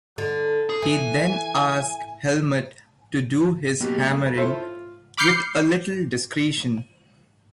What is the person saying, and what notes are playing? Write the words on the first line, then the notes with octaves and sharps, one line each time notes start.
He then asks Helmut to do his hammering "with a little discretion".
D3
G#4
E3 G#5
B2 F#3 A#3 G4
G#3
F2
E4 F4 A4 C5 C#5 E5
F4
B5 D6 F6 G6 C7 C#7